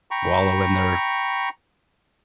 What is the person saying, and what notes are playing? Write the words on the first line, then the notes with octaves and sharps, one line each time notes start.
wallow in their
G5 A#5 B5 C#6